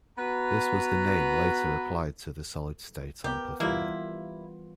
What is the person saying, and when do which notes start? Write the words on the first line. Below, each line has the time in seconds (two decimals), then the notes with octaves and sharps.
This was the name later applied to the solid-state amplifier.
0.18 B3 F#4 B4 A#5
3.24 B3 G4 A#4
3.60 E3 G3 A#3 E4 F4